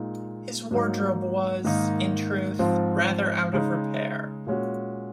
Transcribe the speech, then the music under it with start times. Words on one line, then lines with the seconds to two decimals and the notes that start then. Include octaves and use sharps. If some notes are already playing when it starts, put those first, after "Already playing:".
His wardrobe was, in truth, rather out of repair.
Already playing: A#2 G#3 D#4
0.71 G#2 F#3 A#3 D#4
1.64 G#2 D#3 A#3 D#4
2.59 G#2 F3 C4 F4
3.53 C#3 G#3 D#4
4.46 A#2 G#3 C#4 F#4